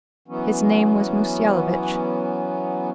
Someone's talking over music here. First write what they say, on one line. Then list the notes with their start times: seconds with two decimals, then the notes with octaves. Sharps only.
His name was Mussyalovitch.
0.28 E3 F#3 B3 C#4